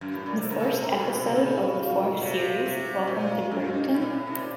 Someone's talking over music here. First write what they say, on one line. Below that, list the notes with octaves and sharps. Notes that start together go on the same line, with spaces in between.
The first episode of the fourth series, Welcome To Brighton?
F#2
A2
A#2
C3
C#3 A#4
A4
C3 A#4
A4
A2 F#4
A#2
A2
C3
C#3 A4
F#4
F4
F#4
A#4
A4
C3 F#4
F4
C3 F#4
F4
C#4
A#2
F4
F#4
F#2 A4
F#4
D#4
C#4
A2
A#2
A2
C3
A#2